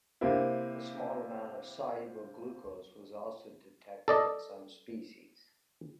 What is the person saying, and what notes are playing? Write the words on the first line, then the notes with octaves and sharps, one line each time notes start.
A small amount of soluble glucose was also detected in some species.
C3 A#3 C4 E4
A4 D5 D#5